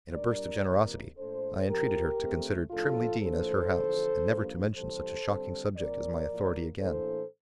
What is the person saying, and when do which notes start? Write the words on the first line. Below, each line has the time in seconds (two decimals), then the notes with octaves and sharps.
In a burst of generosity, I entreated her to consider Trimley Deen as her house, and never to mention such a shocking subject as my authority again.
0.15 A#2 G3 D4 A#4 D5
0.66 C3 E3 A#3
1.17 A#2 A3 D4 A4 C5
1.67 F2 C3 F3 G4 A#4
2.19 D3 A3 C4
2.70 A2 F3 A3 D4 F4 A4
3.21 A2 F3 A#3 D4 A4 C5
3.72 E2 D3 F3
4.24 G2 F3 A#3 D4
4.75 C3 E3 G3 A4 C5
5.26 D3 G3 C4
5.77 A#2 F3 C4 A#4 D5
6.29 A2 F3 A#3
6.80 A2 E3 A#3 D4 A4 C5